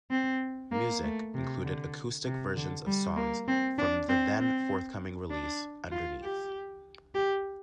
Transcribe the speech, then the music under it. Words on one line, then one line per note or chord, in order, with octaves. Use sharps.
Music included acoustic versions of songs from the then-forthcoming release, "Underneath".
C4
A#3
A3
C3
D3
C3
D3
G3
A#3
C4
D4
C4
C4
D4
F4
G4
G4